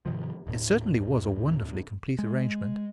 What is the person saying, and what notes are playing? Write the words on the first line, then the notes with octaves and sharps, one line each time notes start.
It certainly was a wonderfully complete arrangement.
G#2 C3 D#3 F3
D#1 A2
G#3